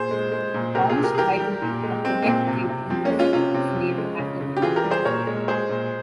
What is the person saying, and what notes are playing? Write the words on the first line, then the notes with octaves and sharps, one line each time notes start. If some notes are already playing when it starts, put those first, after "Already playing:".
The Polish Library of the McGill University is named after him.
Already playing: A#2 G#4 C5
G#3
G#3
A#2
C3 G4 A#4
F4 G#4
C3
G4 A#4
G#4
E3 G4 A#4
G3
A#2
G#3
G#3 C4
A#3
A#2 C4
C3
C3
F3 C4
A#3 C#4
G#3
C#4 F4
C3 C#4 F4
C3
F3
G#3
C#3
C#3
G4
E3 F4 G#4
G4 A#4
G3
G#4 C5
A#2 A#4 C#5
G#3
G#3 G#4 C5
A#2